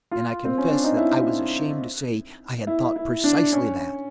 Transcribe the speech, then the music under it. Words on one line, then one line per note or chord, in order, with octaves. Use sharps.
And I confess that I was ashamed to say I had thought precisely that.
F4
C4
C#4
D4
D#4
E4
E4
E4
D4
C#4